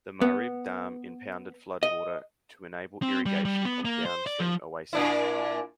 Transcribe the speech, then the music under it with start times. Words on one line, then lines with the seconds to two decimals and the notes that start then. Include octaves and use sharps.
The Ma'rib dam impounded floodwater to enable irrigation of downstream oases.
0.21 B3
1.83 D#5
3.02 C4
3.26 G3
3.45 G3
3.65 B3
3.85 A#3
4.05 C5
4.27 D5
4.40 F3
4.93 A#2 D4 E4